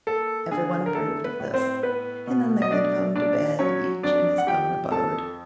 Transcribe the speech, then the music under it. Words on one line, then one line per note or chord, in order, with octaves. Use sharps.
Every one approved of this, and then they went home to bed each in his own abode.
A#3 A4
D3 G#4
A#4
A3 A4
B3 B4
A2
C4 C5
B3 B4
B2
D#5
A3 D4 D5
A#2 D4 D5
F#3 C#4 C#5
F2 D4 D5
F#5
F3 G4 G5
F2 A4 A5